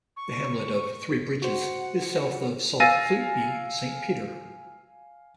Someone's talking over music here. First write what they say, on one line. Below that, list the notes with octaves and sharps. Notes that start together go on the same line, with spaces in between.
The hamlet of Three Bridges is south of Saltfleetby Saint Peter.
C#6
F#4 C5 F#5
F5 G#5 E6 A6 A#6 D#7